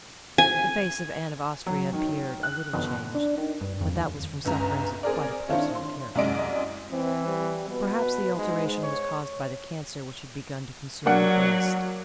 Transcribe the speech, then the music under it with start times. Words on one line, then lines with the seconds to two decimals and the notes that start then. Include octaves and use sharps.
The face of Anne of Austria appeared a little changed, but that was from sufferings of quite a personal character. Perhaps the alteration was caused by the cancer which had begun to consume her breast.
0.38 G#5
1.66 F#3
1.93 D#3
2.43 F#6
2.73 G1
3.15 D4
3.38 D#3
3.61 G2
3.81 F2
3.95 D#2
4.45 G1 C#2 A#5
5.03 C4 G#4 A#4 D5
5.48 D#3 C4 D4 E4 F4 C#5
5.75 C6
6.15 C2 F#2 G#3 D5 D#5 D7
6.91 E3 C4
7.27 G3
7.68 B2 B4
8.36 G#2 G#3
8.82 C#5
11.06 F#3 A#3 D4 F#5